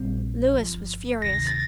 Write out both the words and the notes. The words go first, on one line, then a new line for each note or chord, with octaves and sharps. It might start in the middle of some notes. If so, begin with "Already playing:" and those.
Louis was furious.
Already playing: A#1 A#2 G3 C4
G1 G2 F3
D2 C3 D#3 A#6
A6